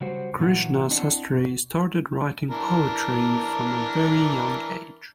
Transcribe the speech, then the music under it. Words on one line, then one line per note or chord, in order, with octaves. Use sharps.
Krishnasastri started writing poetry from a very young age.
C#3 F#3 G3 F#4 G4 C5
A#2 D3 E3 F#3 F#5
C4 D4 E4 D5 D#5 F#5
B2
E3 D4 A#4